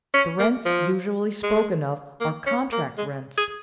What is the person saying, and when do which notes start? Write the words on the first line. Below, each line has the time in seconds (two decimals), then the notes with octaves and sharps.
The rents usually spoken of are contract rents.
0.14 C#4
0.39 A#3
0.65 F3
1.43 G#3
2.21 A#3
2.47 C#4
2.72 A#3
2.98 G#3
3.38 G#4